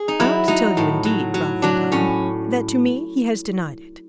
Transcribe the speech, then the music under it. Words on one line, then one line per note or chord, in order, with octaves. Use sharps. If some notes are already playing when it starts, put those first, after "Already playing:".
"I ought to tell you indeed," Ralph went on, "that to me he has denied it."
Already playing: G#4
D#4
F#3 E4
F#3 D#4
A2
F#3
F#3
F#3 D4
A2 C#4